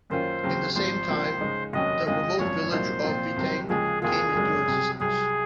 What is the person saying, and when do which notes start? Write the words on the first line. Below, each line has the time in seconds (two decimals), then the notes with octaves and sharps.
In the same time, the remote village of Vitteng came into existence.
0.10 F#2 D#3 A#3 C#4 F4 C5
0.43 D#2 C#3 F#3 C4
0.75 G#1 G#2 F3 C5
1.09 C#2 C3 F3 A#3
1.41 C#3 G#3 D#4
1.73 F1 D#2 D#3 F#3 C#4 D#5
2.06 F2 C#3 G#3 C4 F4 D#5
2.39 G#1 F#2 F3 C#5
2.71 C2 A#2 F#3 A#3 D#4 C5
3.04 A#2 F3 C4 F4
3.37 C2 C3 D#3 F#3
3.69 D#2 C#3 F3 G#3 G#4
4.02 F1 D#2 D#3 A#3 F4 G#4
4.35 G#1 F#2 C#3 G#3 C#4
4.67 C2 C3 F#3
5.00 C2 C3 F#3 G#4